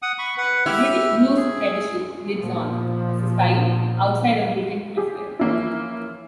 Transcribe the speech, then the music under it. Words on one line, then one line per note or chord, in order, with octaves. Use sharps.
The British blues tradition lives on, as a style, outside of Britain as well.
F#5 D#6
B5 C#6
B4 F#5
E4 G4 F6
G#4
A#2 F3
G4 G#4
E3 F3 A#3 C#4 E4